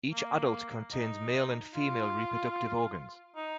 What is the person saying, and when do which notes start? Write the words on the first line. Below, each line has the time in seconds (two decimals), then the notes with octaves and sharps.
Each adult contains male and female reproductive organs.
0.12 A#3
0.93 D#4
1.75 F4
3.36 D#4